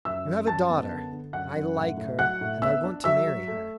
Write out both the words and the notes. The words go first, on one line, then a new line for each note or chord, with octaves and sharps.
"You have a daughter!--I like her--and I want to marry her!"
F#2 E5 E6
F#2
F#2 A5 A6
B3
D3
D3
F#2 F#5 F#6
F#2
A2
A2
F#3 F#5 F#6
A2
B3 E5 E6
D4
F#3 E5 E6
F#3
A3